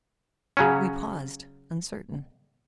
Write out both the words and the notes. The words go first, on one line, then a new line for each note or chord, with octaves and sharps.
We paused uncertain.
C#3 F#3 C#4